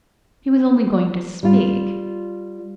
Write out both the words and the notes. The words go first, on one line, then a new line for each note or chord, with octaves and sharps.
He was only going to speak.
G3 F4